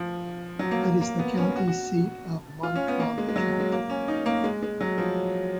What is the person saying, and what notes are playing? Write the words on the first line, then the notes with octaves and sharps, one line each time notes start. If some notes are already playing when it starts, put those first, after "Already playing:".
It is the county seat of Montcalm County.
Already playing: F3
F#3
A#3
A#3
A#3
B3
C#4
F#4
F#4
F4
C#4
B3
A#3
G#3
G#3
F#3
G#3
A#3
C#4
D#4
A#3
G#3
G#3
F#3
F3